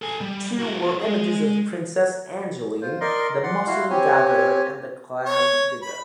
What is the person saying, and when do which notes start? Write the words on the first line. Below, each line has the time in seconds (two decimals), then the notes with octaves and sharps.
Two were images of Princess Angeline, "The Mussel Gatherer" and "The Clam Digger".
0.02 A4 G#5
0.21 G3
0.59 E4 F#4
1.00 G#3 G#4
2.82 F4 C5
3.01 A#4 D5 D#5 C6
3.43 D5 F#5 C6
3.67 E4 F#4 F5 C6
3.90 C4 G4 C#5 G#5
5.26 C#5
5.82 B5